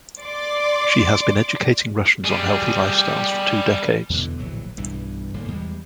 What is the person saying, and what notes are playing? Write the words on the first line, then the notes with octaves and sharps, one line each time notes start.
She has been educating Russians on healthy lifestyles for two decades.
D5 C6 D6
G3 G#4
E2 B2 D3 E3
D1 A#1 E3 F#3
B1 G2 E3
E1 G#2 D3 A#3
E2 E3 G3 G#3